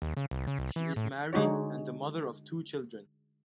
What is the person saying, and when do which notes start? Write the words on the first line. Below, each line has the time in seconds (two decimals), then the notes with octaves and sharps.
She is married and the mother of two children.
0.02 D#2
0.17 C#3
0.31 C2
0.47 C#3
0.59 C2
0.76 E3
0.96 A2
1.33 D3 G#3 D#4 F#4 C#5